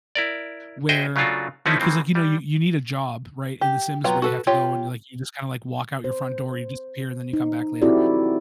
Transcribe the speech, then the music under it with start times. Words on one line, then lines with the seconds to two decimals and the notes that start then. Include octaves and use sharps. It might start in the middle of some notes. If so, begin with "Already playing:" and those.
where you 'cause, like, you know, you you need a job, right, in The Sims where you have to go and, like, you, just, kinda, like, walk out your front door, you disappear and then you come back later.
0.15 E4 A#4 D5
0.89 F#4 G#4 C5 D#5 E5 G5
1.16 C#3 F#3 A3 D4 F4 F#4
1.66 F3 A3 B3 C#4 D#4 E4
1.80 D#3 E3 G#3 C4
2.15 G3
3.61 G4
4.04 F#3 B3 F4 G5 A#5
4.22 F#4 A4 B4
4.47 F4 G4 C#5 G5
6.04 C5
7.33 D#4
7.82 C4 E4 F#4 G4 A4 D5